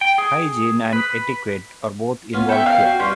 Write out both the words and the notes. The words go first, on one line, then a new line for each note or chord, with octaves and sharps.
Hygiene and etiquette are both involved here.
G5
G#4
B4
B3 C#4 F4
A4 E5 G5
F5
F#4
G2 C#4 B4 C6